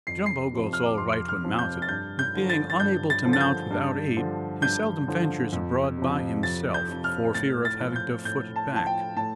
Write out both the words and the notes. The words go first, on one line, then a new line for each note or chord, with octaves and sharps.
"Jumbo" goes all right when mounted, but, being unable to mount without aid, he seldom ventures abroad by himself for fear of having to foot it back.
F2 C7
C7
C3 F3
F6
D6
F2 C6
F6
C3 F3
G6
A6
G2 G6
G6
D3 F3
A6
A6
G2 G6
A6
D3 F3
A6
G6
G2
D3 F3
G2 G6
D3 F3
F2
C3 F3
F2 A6
G6
C3 F3
F6
A2 A6
A6
F3
G6
A2 G6
A5
F3 A5
G5
A2 A5